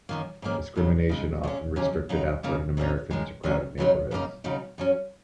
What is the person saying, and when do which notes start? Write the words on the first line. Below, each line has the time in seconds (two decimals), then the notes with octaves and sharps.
Discrimination often restricted African Americans to crowded neighborhoods.
0.09 F#2 D#3 A#3
0.42 G#2 D#3 A#3 C#4
0.76 D#2 C#3 F#3
1.09 C#3 G#3 D#4
1.43 A#2 G#3 C#4
1.76 D#2 C#3 F#3 A#3 C#4
2.09 C#3 F#3 D#4
2.43 D#2 C#3 A#3 D#4
2.77 G#2 D#3 A#3 C#4
3.10 F#2 D#3 G#3 D#4
3.43 D#2 D#3 F#3 C#4
3.78 F#2 C#3 F#3 D#4
4.11 F#2 C#3 A#3 D#4
4.44 D#2 C#3 F#3 D#4
4.78 F#2 F#3 C#4